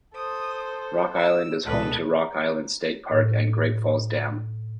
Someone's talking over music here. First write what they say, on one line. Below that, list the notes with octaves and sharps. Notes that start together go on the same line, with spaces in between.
Rock Island is home to Rock Island State Park and Great Falls Dam.
A4 C5 D#6
E6
C#2 B2 A4 B4 D#5
A#5
A2